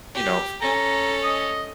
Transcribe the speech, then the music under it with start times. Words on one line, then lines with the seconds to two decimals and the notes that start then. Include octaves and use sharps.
you know, f
0.13 G4
0.61 C#4 A4 A#5
1.24 D#5